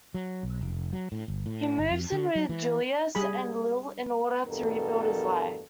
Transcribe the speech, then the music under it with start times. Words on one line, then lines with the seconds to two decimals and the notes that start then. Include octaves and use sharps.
He moves in with Julius and Lil in order to rebuild his life.
0.14 F#3
0.43 B1
0.61 F1
0.93 F#3
1.12 A2
1.28 G1
1.46 A2
1.78 G1
1.91 F2
2.12 D3
2.35 F#3
2.49 E3
3.15 G3 G#4 B5
4.47 E2 G2 B2 A4 A#4